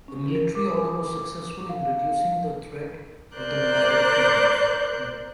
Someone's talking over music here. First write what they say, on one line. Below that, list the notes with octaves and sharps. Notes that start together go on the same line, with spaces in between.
The military order was successful in reducing the threat of the nomadic Cumans.
C#4
A#4
D6
F5
A#4 C5 D5 F#6 G6